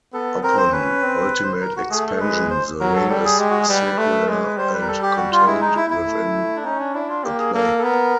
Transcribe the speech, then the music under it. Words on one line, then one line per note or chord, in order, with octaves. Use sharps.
Upon ultimate expansion the ring is circular and contained within a plane.
B3 A4
C4 A#4
C5
C#4 B4
C4
C5
B4
A#4
F#4
A3 G#4
A4
G#3 B4
C5
F#3 A#4
A4
G3 A4
G#4
G#3 G4
F#4
G#4
G3 B4
B4
A3
G#3 B4
B4
G3 C5
B4
A#4
A4
G4
F#4
F4
G#3 E4
D#4
E4
E4
A3
D4
C#4 D#4
D4
D4 E4
F4
A#3 G4
G#4
A#3 A4
A4
B3 A#4